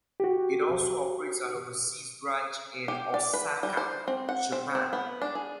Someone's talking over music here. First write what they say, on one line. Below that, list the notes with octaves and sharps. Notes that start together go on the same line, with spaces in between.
It also operates an overseas branch in Osaka, Japan.
F#4 G4
G4
D5
B4
G3
C5
C4
F#5
C4
C4
B3
D4
G#4